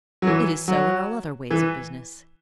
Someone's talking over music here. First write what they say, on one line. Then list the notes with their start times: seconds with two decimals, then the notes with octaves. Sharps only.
It is so in all other ways of business.
0.22 F#3
0.27 E3
0.68 F#3
1.50 E3